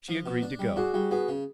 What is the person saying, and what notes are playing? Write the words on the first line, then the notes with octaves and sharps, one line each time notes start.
She agreed to go.
F3
B2
D4
G3
D4 F#4 G#4
G3 F#4 G#4
B3 F#4 G#4
C#3